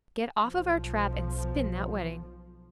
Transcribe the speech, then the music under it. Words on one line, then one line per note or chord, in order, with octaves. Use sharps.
"Get off of our trap and spin that wedding."
B1 F3